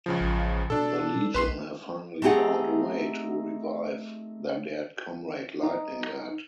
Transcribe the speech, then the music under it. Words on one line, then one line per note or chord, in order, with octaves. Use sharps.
The Legion have finally found a way to revive their dead comrade Lightning Lad.
C#2 C#3 F3
A1
B2 D4 A4
B1 B4 C6 C7
A3 C4 D#4 G4 G#4 F#5
D#4